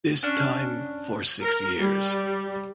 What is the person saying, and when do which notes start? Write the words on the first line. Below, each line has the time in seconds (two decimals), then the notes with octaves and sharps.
This time for six years.
0.23 C#4 D4
1.43 A#4
1.79 G3